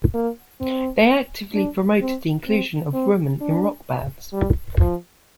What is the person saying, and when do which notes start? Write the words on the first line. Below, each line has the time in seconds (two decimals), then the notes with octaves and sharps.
They actively promoted the inclusion of women in rock bands.
0.14 A#3
0.61 C4
1.54 D4
2.01 C4
2.48 C4
2.93 C4
3.41 D4
4.33 G3
4.80 F3